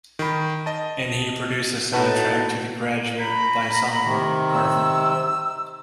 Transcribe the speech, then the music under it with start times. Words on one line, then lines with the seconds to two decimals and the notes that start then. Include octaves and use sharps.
And he produced the soundtrack to "The Graduate", by Simon and Garfunkel.
0.19 D#3 B5
0.66 D#5 A5
1.94 A2 D#4 F#4 B4 A5
3.17 A#5 B5
4.04 C3 D#3
4.52 E6